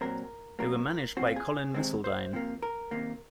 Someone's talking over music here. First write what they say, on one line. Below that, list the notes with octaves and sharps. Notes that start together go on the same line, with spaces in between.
They were managed by Colin Misseldine.
A#2 F#3 C4 A#4
C3 F#3 A#3 A#4
A#2 F3 C4 F#4
F4
G#4
C3 D#3 G#3 C4
C5
C3 F3 A#3
A#4
C3 D#3 A#3